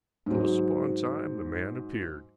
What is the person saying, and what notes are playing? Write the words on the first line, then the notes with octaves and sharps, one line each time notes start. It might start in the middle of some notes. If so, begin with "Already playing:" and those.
Close upon time the man appeared.
G#2 F#3